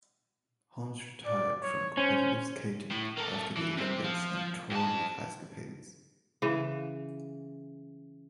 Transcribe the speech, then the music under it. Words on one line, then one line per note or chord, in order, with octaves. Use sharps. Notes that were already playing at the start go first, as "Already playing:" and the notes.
Holmes retired from competitive skating after the Olympics and toured with Ice Capades.
D5
C#5
C#4 C5
A2
A#3 A4
E3
C3 C4
F3
F2 A5
C#3 E3